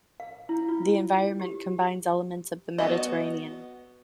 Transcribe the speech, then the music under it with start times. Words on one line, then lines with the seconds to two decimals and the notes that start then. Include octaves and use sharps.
The environment combines elements of the Mediterranean.
0.20 F5
0.49 E4
0.68 F4
1.40 G4
2.78 B3 F#4 D#5